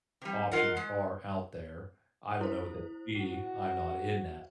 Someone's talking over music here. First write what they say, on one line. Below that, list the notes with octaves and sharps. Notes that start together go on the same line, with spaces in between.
options are out there. I don't know what that would be. I'm not in NASA.
C3 G3
F4 A#4 D#5 F#5
G#3
E4 C5
F#4